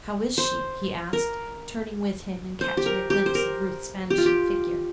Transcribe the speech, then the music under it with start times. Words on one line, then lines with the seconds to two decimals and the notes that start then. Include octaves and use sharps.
"How is she?" he asked, turning with him and catching a glimpse of Ruth's vanishing figure.
0.38 C5
1.13 A#4
2.61 C5
2.77 G4
2.86 A#4
3.10 G4
3.26 C5
3.35 A#4
4.10 G4
4.18 F4
4.26 G4